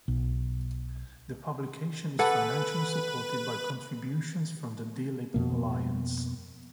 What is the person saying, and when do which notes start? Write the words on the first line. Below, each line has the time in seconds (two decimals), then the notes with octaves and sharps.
The publication is financially supported by contributions from the D-Lib Alliance.
0.08 B1
2.19 A4 B4 F#5 G#5 D6
5.34 F2 B2 A#3